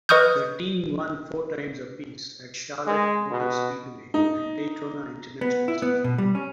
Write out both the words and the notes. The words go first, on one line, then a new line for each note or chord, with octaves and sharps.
The team won four times apiece at Charlotte Motor Speedway and Daytona International Speedway.
B4 D#5 C#6 D#6 F6 G6
G#3
B2
D#4
B3
E4
B3
B2
G3
C#4